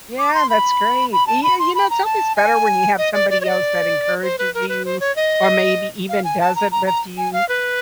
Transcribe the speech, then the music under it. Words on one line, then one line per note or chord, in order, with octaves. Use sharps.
Yeah, that's great. Y yeah, you know, it's always better when you have somebody else that encourages you or maybe even does it with you.
D6
C6
B5
B5
A5
B5
C6
B5
A#5
A5
G#5
D#5
D5
D5
C#5
D#5
D5
C5
B4
A#4
B4
C5
C#5
D#5
F5
G#5
A5
A#5
A#5
A#5
G#5
F5
B4